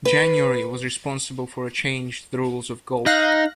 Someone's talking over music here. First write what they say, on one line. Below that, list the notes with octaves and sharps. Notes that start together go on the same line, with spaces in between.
January was responsible for a change to the Rules of Golf.
B4
D#4 F5 F#6 A#6